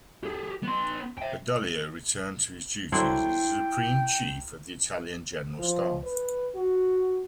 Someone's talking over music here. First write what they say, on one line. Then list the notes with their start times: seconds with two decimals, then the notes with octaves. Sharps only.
Badoglio returned to his duties as the Supreme Chief of the Italian General Staff.
0.24 G4 G#4
0.63 B3 C6
1.18 E5 G5
2.92 D3 F#3 E4 G5 C6
5.59 F3
6.04 B4
6.56 F#4